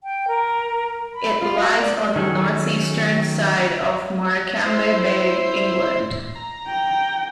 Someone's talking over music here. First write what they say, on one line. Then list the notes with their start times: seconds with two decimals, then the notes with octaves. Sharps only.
It lies on the North-Eastern side of Morecambe Bay, England.
0.04 G5
0.28 A#4
1.14 B5
1.40 F4
1.61 F#4
1.80 D5
2.16 D#3 F#3 C#4 G#4 A4
4.65 E4 C5
6.35 A#5
6.68 G5